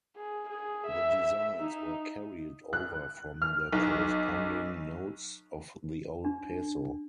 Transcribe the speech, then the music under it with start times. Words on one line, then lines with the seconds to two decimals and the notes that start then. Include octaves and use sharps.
The designs were carried over from the corresponding notes of the old peso.
0.17 G#4
0.49 G#4
0.86 E5
1.60 D#4
2.73 F#6
3.42 F6
3.73 B1
6.25 D4